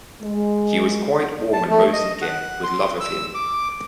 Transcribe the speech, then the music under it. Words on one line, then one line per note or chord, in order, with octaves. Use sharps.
She was quite warm and rosy again with love of him.
G#3
A5
A3
D#5
F#5
C6
E6
D6